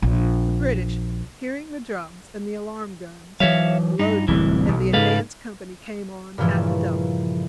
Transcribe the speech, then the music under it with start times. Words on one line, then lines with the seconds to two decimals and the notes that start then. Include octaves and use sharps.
The British, hearing the drums and the alarm-guns, loaded, and the advance company came on at the double.
0.02 A#1
3.40 E3 F#3 C#5 E5 F5
3.99 G2 D#4
4.28 D1 C2 A2 E3
4.68 B1
4.93 G#2 C#3 G#3 A4 B4 F5
6.38 G2 A#2 C#3 E3 F3 A3